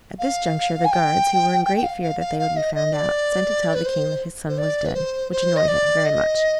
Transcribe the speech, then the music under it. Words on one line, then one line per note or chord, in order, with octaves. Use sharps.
At this juncture the guards, who were in great fear that they would be found out, sent to tell the King that his son was dead, which annoyed him very much.
F5
G#5
G5
G5
G5
F5
F5
F5
F5
D#5
D#5
D5
B4
C5
C5
D5
B4
C5
C5
D#5
D5
D#5